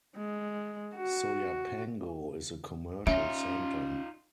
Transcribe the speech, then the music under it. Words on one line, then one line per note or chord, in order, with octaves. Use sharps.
Soyapango is a commercial center.
G#3
F#4
C#4 D#4 F4 E5